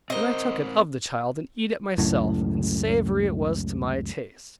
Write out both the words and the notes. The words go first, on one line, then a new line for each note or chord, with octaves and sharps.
Then I took it of the child, and eat it myself, and savory it was to my taste.
C4 A#4 C5 D#5
C#2 F#2 A2